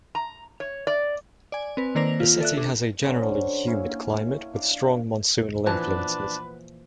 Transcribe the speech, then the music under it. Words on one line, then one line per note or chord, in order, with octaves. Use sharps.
The city has a generally humid climate with strong monsoonal influences.
A#5
C#5
D5
D5 G#5
C4 B4
D#3 A#3 C5 D5 A#6 F7
F4
A4 D5 E5 F#6
D4
D3 F#3 C#4 C5
A#3 C#4 E4
D4 F5 D6
A#2 E3 F3 B3 D4 B4 A5